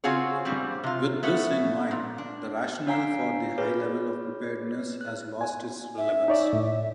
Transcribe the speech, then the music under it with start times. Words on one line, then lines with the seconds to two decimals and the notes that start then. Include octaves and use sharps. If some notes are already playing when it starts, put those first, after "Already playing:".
With this in mind, the rationale for the high level of preparedness has lost its relevance.
0.04 C#3 C4 F4 F#4 G#4 C#5
0.45 G2 G3 C4
0.84 C3 F4
1.23 A3 B3 C#5
1.91 A#2
2.18 D4
2.87 D4 C#5 F5 G#5 A#5 C7
3.58 G#4 B4 C#5
5.01 F#6
5.41 G#5
5.98 E5
6.28 D#4 C#5 D5
6.53 A2